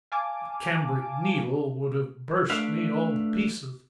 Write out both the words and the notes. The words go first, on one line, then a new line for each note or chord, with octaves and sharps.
A cambric needle would have burst me all to pieces.
F5 G#5 A5 D6
A3 D4 B4 E5 F5